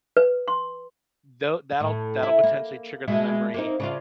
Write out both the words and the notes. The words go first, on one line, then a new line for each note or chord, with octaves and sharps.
though that'll that'll potentially trigger the memory,
B4
C6
A2
E4
A#3
B2 G#3 E4
A#3 C4 D#4
C#3 D4 F4